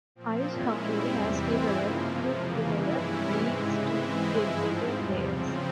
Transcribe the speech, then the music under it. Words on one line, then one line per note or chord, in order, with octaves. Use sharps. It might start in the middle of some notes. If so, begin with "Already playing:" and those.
Ice Hockey has developed youth developed leagues to get better players.
A#2 F3 C4
A#2 G#3 C#4 E4
G#2 G3 C4 E4
E2 C3 E3 G3 C4
G2 E3 G#3 C4 E4
C#3 F3 A#3
F2 C3 F3
C#3 E3 A#3
G2 E3 G#3 E4
C3 E3 G3 C#4 E4
G#2 E3 G#3 C4
C#3 E3 G#3 E4
G#2 E3 G#3 C4 E4
G2 F3 G#3 E4
G#2 F3 C4
E2 C3 G3
C#3 F3 C4